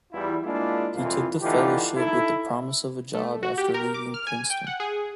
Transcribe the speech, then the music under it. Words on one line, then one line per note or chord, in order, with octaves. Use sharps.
He took the fellowship with the promise of a job after leaving Princeton.
E2 E3 G3 E4 F4
G#3 A#3 D4 E4 F4 G#4
C2 F2 E3 F3 F4
D3 E3 A3 D#4 F4 G4
D#4 E4 A4
A3
F#4
G4
A#4
D6
F6
G#5
G5
F#5
G#4